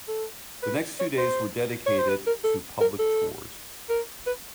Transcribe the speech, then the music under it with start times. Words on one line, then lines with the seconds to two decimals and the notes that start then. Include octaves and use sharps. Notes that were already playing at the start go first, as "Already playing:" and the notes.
The next two days were dedicated to public tours.
0.08 A4
0.63 B4
1.00 C#5
1.18 C5
1.86 C#5
1.98 C5
2.09 B4
2.27 A#4
2.44 A4
2.81 A#4
2.99 A4
3.90 A#4
4.27 B4